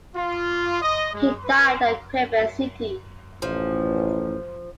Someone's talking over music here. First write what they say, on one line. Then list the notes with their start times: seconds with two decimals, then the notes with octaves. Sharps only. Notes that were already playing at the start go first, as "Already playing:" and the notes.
He died at Quebec City.
0.15 F4
0.82 D#5
1.14 G#3
1.43 B4
3.42 A1 F3